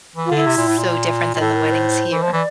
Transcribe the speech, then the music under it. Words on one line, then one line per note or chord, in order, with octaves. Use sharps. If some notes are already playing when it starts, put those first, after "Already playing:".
it's so different than the weddings here.
E3
F4
D3 E4
C3
A#2
A2
A#2
A#2
A2 A4
A#4
C5
E3
F3
E3 D5